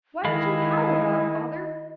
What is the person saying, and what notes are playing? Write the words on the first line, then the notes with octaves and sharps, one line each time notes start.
'Why don't you howl, godfather?
D#3 G#3 E4 D#5 F5 B5